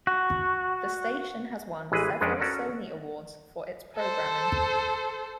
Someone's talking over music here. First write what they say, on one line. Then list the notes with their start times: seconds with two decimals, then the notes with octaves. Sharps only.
The station has won several Sony Awards for its programming.
0.07 F#4
1.92 A1 E3 G#3 G#4 B4
2.21 F2 G#3 C#4 D4 B4
2.39 C#4 F#4 A4 A#4 D5
3.96 A4 C5